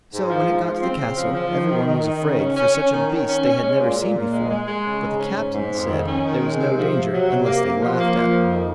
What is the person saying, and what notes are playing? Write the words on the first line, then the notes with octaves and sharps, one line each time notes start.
So when it got to the castle every one was afraid, for such a beast they had never seen before; but the captain said there was no danger unless they laughed at it.
G#2
F3
G#2
F3
C4
C#3
F3
F3
D#3
D#3
D#3
D#3
C#3
C#4
C#4
C#4
D#3
D#3
C#4
C#4
G#3
A#2
A#2
A#2
G#3
G#3
G#3
C#3
G#2
C#4
G#2
G#2
F2
D#3
C#4
D#3
G#3
C3
F3
C3
F#3
C3
A#3
C3
F3
A#3
F3
F2
D#3